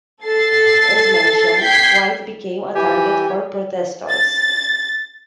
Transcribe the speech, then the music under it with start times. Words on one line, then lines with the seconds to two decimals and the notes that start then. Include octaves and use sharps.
As mentioned, White became a target for protestors.
0.25 A4 A6 C7
1.60 G5 G6 G#6 B6 C7
2.75 E3 G4 G#5
4.10 A6